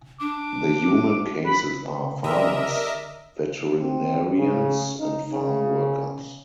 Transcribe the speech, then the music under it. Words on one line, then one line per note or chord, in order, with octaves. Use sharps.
The human cases are: farmers, veterinarians and farm workers.
D4 D6
B5
D3 G4 A#4 D#5 E5
C4
C#3
D#4
C#3